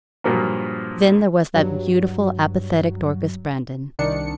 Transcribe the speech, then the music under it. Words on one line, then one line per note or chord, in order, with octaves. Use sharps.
Then there was that beautiful apathetic Dorcas Brandon.
G2 A#2 F3 F#3 A#3
G2 F#3
C2 D#3 D4 C#7